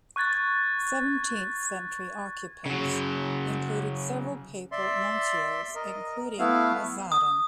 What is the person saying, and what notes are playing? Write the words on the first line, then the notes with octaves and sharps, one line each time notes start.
Seventeenth-century occupants included several papal nuncios, including Mazarin.
C#6 F#6 G#6 A6
C#3 F#3
D5 E5 C6
A#4 D#5
A3 B3 E4 F5
D#6